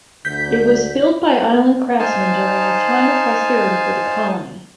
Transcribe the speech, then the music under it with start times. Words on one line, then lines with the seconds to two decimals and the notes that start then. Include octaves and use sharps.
It was built by Island craftsmen during a time of prosperity for the colony.
0.25 D2 D3 G6 B6
1.99 D#4 C5 F5 G#5 A5